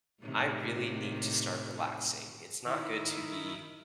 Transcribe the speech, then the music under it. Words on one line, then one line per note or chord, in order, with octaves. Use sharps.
I really need to start relaxing. It's not good to be
A2 C3 D#3
D#3 E4